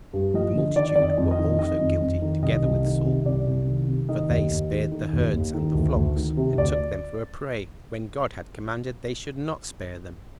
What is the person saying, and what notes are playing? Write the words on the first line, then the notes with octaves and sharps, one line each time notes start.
The multitude were also guilty, together with Saul; for they spared the herds and the flocks, and took them for a prey, when God had commanded they should not spare them.
G2
F3 D#5
D3
D#3 D5
F2 D5
D#5
F2
D#5
D#3
D#3 D#5
F2
F2
D#3
C2 D#5
C2
D#3
C3
C2 D5
C2
D#3
C3
D#3 D#5
D#2
D#2
D#3
D#3
D#2
D#2
D#3
D2
D2
D#3
C3
D2 D5